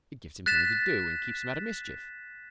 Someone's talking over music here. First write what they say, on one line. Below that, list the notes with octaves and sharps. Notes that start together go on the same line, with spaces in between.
It gives him something to do and keeps him out of mischief.
F#6 A6 B6 E7